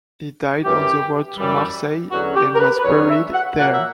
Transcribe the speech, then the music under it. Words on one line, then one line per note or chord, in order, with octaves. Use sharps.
He died on the road to Marseille, and was buried there.
F#2 E3 G3 G4
F#2 E3 G3
E2 D3 F#3 C#4 F#4
G4
A#4
B4
B4
E2 D3 F#3 C#4 C#5
E5
F#5
A#2 F#3 A#3 F#5
E5